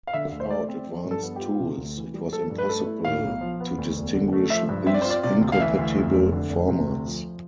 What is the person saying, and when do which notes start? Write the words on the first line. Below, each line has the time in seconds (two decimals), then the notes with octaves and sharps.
Without advanced tools, it was impossible to distinguish these incompatible formats.
0.07 F5
0.14 D3 E5
0.32 D2
0.40 C5
0.51 A3 D5
0.69 C4
0.87 F3
1.04 G2
1.11 A4
1.23 B3
1.36 F4 G4
1.59 C3
1.78 D2
1.97 E3
2.14 G3
2.32 F3 A4
2.50 G2
2.58 B4
2.69 A3 A4
2.86 E4
3.05 A2 F5
3.23 B1
3.41 F3
3.60 B3
3.78 D2
3.96 E1
4.14 D3
4.33 A3
4.50 F3 E5
4.69 G2
4.86 C4 E5
4.94 D5
5.02 C5
5.05 F4
5.10 D5
5.23 C3 D5
5.41 D2
5.52 F5
5.60 E3 E5
5.78 D2
5.96 F2
6.15 F1
6.32 D3
6.50 F1
6.68 C3
6.87 D2
7.05 F3